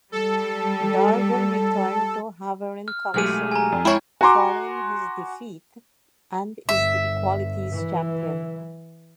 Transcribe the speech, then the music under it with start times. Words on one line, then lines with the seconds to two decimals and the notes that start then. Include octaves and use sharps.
Darvill returned to Havering Council following his defeat and is the Equalities Champion.
0.12 G3 A4
2.88 F6
3.14 B1 F#3 G#3 A3 G4 G#4 F6 D#7
3.51 G#5 A#5
3.72 F2
3.85 G#3 E4 C#5 G5 B5 C#6
4.21 F#4 G#5 A#5 C6 D6
6.69 G1 E5
7.74 E3